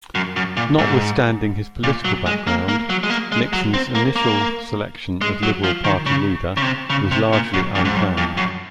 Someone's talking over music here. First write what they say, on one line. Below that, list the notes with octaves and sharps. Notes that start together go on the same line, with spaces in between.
Notwithstanding his political background, Nixon's initial selection as Liberal Party leader was largely unplanned.
F#2
F#2
A#2
G#2
A#2
F#3
G#3
A#3
A#3
F#3
G#3
A#3
G#3
F#3
C4
A#3
A#3
G#3
F#3
F3
D#3
C#3
C#3
C3
C#3
C3
A#2
F#2
F2
G#2
F#2
F2
F#2